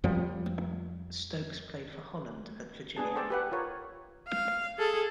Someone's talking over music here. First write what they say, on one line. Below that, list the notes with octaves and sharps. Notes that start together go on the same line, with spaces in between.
Stokes played for Holland at Virginia.
F2 F3 G3
B3 D4 G#4 A5
A4 C5 D5 G5 A5
G4 B4 F#5
F4 A#4 C#5
F5
G#4 A4